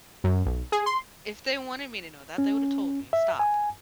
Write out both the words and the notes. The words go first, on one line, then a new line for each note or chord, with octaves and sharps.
If they wanted me to know that, they would have told me, stop."
F#2
B1
G#4
C6
C#4
E5
G#5